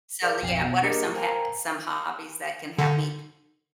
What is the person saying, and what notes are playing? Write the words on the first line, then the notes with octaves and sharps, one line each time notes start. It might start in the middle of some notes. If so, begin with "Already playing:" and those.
So, yeah, what are ha some some hobbies that can have me
G#4 A#4 D5
A#1 F2 G5 G#5 G6 C7
B2
A#3 D4 G4 G#4 A#4 D#5
A#4 C5 F5 G5 G#5 A#5
D3